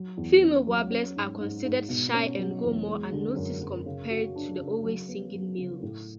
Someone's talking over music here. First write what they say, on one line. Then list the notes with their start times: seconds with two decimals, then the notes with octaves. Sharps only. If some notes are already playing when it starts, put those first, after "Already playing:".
Female warblers are considered shy and go more unnoticed compared to the always-singing males.
Already playing: F#3
0.17 E2
0.42 C#4
0.67 F#3
0.91 C#4
1.16 G#2
1.41 G#2
1.65 G#2
1.89 B2
2.14 C#4
2.39 F#3
2.64 E2
2.88 G#3
3.12 D3
3.36 F#2
3.61 F#2
3.86 C#3
4.11 F#4
4.36 D4
4.59 C#3
4.84 F#3
5.08 B3
5.34 F#3
5.58 C#3
5.82 A2